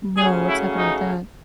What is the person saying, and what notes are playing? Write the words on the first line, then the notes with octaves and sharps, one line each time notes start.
No, what's happening with that?
C#3 F#3 A3 C#4 G#4
E4
D#4